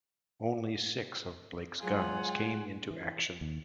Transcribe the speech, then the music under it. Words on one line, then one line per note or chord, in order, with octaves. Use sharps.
Only six of Blake's guns came into action.
F#3 G#3 F4 G#4 F#5 G#5 F6
E3
D#2